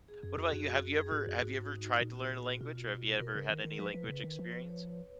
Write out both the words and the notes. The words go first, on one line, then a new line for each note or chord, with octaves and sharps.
What about you? Have you ever have you ever tried to learn a language or have you ever had any language experience?
G#4
F#2 G#4
F2 F#4
F#2 F#4
F#4
G#4
G#2 F#4
F#2
G#2
D#4
D#4
A#2 F4
F#4
G#4
F#4
B2 F4
F#4
B2 A#4
C#3
D#3
D#3
F3 B4
F3
B2
C#3
D#3
F3
C#5